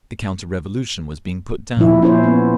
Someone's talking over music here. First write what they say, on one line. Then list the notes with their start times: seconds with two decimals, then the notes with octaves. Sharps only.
The counter-revolution was being put down.
1.77 A#2 F3 E4
2.02 C#4 E4 C5 C#5
2.23 B3